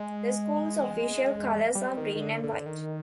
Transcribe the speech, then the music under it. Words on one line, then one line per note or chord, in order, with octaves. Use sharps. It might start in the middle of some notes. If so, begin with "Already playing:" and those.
The school's official colors are green and white.
Already playing: G#3
G3
D#3
D#3
D3
D3
D#3